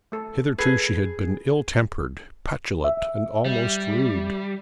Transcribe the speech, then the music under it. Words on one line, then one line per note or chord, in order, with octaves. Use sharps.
Hitherto she had been ill-tempered, petulant, and almost rude.
A3 A4
G#4 A4 B4
E5
G3